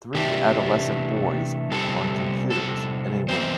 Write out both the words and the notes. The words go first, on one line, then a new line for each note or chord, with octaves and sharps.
Three adolescent boys on computers in a room.
C3 E3 A3 D4 G4
C3 G3 C4 A4
A4
E2 E3 C4 C5